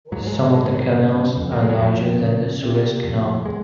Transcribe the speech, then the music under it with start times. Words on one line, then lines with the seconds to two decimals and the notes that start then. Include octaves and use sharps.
Some of the canals are larger than the Suez Canal.
0.12 G#2 F#3
0.27 G#3
0.33 F#3
0.53 G#2 G#3
0.74 F#3
0.95 C#3
1.37 F2
1.52 A#3
1.62 G#3
1.69 F#3
1.79 F2 F3
2.20 C#3
2.63 C3
3.04 F2
3.45 G#3